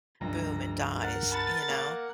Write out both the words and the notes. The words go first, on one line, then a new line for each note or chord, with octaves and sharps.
boom, it dies, you know,
F1 C#2 G2 A#5
A#4 F#5 A6
A5 B5 A6 C#7
A#3